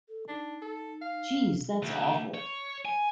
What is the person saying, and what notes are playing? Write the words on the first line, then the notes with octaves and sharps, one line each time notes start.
Jeez, that's awful!
A4
D4 D#4
A4
F5
D2
C#5
G#5